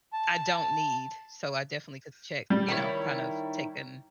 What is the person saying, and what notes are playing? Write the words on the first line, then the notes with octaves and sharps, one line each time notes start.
I don't need. So, I definitely could check, you know? Kind of take an
A5
G3
D#3 E4 C#5